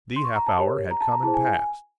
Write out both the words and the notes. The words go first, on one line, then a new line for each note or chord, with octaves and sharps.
The half-hour had come and passed.
C6
C#6
A#5
A5
G4 A#4 C#5
A#5
A5
A#5
E4 G#4 C5 A5
G#5
G#5